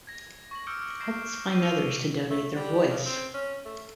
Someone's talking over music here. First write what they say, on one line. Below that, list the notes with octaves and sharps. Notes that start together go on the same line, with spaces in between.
Help us find others to donate their voice!
G#6 A#6
C#6 A#6 F#7
D6 E6 F6 G6 C#7 D7
G6 A#6 C7 D7 E7
E6 F6 D#7
E6 G6 C#7 F7 G7
A3
G3
C#3
C4
C#4
A3